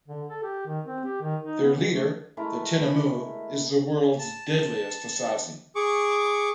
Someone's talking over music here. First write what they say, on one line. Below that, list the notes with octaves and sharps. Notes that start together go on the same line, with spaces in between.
Their leader, the Tinamou, is the world's deadliest assassin.
D3
A4
G4
D#3
C4
G4
D#3
D#4
B3
E3
A3
G#3 A3 E4 A#4
A5
G#4 C#6 D6